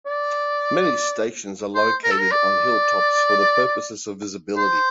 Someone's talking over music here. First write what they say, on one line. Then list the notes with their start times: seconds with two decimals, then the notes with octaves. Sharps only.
Many stations are located on hilltops for the purposes of visibility.
0.06 D5
1.75 C5
2.04 A#4
2.11 A4
2.19 A#4
2.31 D5
4.57 C5